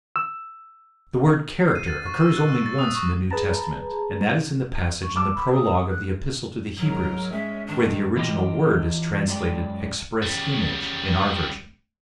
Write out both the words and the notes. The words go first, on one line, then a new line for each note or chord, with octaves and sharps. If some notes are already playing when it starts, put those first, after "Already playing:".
The word 'character' occurs only once in the New Testament, and that is in the passage in the prologue of the Epistle to the Hebrews, where the original word is translated 'express image' in our version.
E6
C7
D#7
A6
C#6
E6
F#6
E6
A6
D#6
C#6
G#4 B4 A5 A#5
C#6
A5 D6 E6
B5
D#6
F#6
G#2 F#3 A#4
G#3 C#4 E5
G2 D#3 D4
E3 F4 G4 D#5 G5
F#2 G#3 D5 G5
C#3 G3